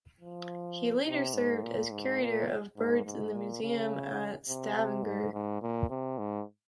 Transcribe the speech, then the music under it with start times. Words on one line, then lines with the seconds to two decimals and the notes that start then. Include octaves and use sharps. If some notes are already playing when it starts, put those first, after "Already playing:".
He later served as curator of birds in the museum at Stavanger.
0.20 F3
1.06 C3
1.34 G#2
1.63 A#2
1.91 G#2
2.20 A#2
2.77 G#2
3.05 G#2
3.34 A#2
3.62 C#3
4.48 C3
4.76 C3
5.05 G#2
5.33 G#2
5.62 A#2
5.90 C3
6.18 G#2